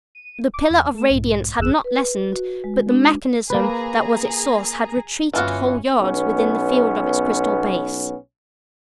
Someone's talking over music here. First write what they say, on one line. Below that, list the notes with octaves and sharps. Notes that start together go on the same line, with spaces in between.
The pillar of radiance had not lessened--but the mechanism that was its source had retreated whole yards within the field of its crystal base.
D#7
D6
E2
A3 A4 E7
B1 G#2
G1 F2 G#4 E6 F#6 E7
B4
F#4
G#3
D4
A#3 G#4 B4 A#5
G1 E3 C#4 F4 F#4
B1 B3 C#4